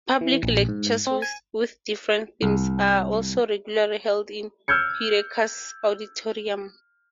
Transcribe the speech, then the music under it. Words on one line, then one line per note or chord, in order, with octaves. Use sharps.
Public lectures with different themes are also regularly held in Heureka's auditorium.
E3
A#1
G#2
C4
G#5
C2
E6 F6 G6 G#6 C#7